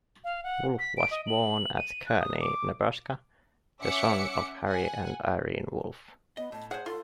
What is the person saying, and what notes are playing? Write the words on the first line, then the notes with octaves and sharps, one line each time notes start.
Wolf was born at Kearney, Nebraska, the son of Harry and Irene Wolf.
F5
F#5
B6
D7
D#5
F#7
D#7
F#6
D#6
D6
C#4 E5 F#5 D6 C#7
F#5 G#5
B3 D#5
A2 A5
G#4 C5 C#5 F#5
F4 A4 C6